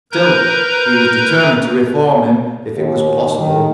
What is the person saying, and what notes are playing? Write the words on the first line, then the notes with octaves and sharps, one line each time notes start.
Still, he was determined to reform him if it was possible.
A#4 B4 A#5 G6
D#2
D#3